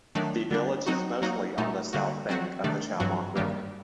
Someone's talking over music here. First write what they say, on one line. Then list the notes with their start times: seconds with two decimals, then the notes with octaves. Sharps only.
The village is mostly on the south bank of the Chaumont River.
0.15 D#3 F#3 A3 D4
0.51 D3 G3 D4
0.86 F#3 C4 D#4 F#4
1.22 F#3 A#3 D#4 F#4
1.58 A#2 A3 D#4
1.93 D3 G3 A#3 F#4
2.29 F#3 C4 F#4
2.64 C3 D#3 A3 D4
3.00 G2 F#3 C4 F#4
3.35 G2 D#3 G3 A#3